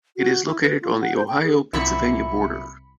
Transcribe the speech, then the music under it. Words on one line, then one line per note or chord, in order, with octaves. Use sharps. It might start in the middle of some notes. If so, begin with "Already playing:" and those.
It is located on the Ohio-Pennsylvania border.
F#4
E4
B4
F4
F#5
C5
G5
G#4
C2 F#2 A#2 E4 B5 C#7